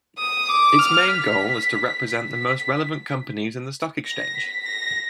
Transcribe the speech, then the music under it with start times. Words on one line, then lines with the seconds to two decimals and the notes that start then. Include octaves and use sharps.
Its main goal is to represent the most relevant companies in the stock exchange.
0.19 D#6
0.49 D6
0.79 F6
1.08 B6
2.28 B6
4.06 A#6
4.35 B6
4.66 A#6